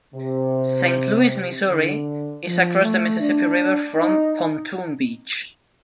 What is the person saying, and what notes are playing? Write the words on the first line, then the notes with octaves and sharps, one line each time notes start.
Saint Louis Missouri is across the Mississippi River from Pontoon Beach.
C3
D3
F3
A3
D4
D#4